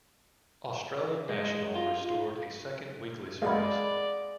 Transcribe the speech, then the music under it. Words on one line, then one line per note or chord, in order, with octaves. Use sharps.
Australian National restored a second weekly service.
G#3
F4
G#3 D5 F5 F#5 B5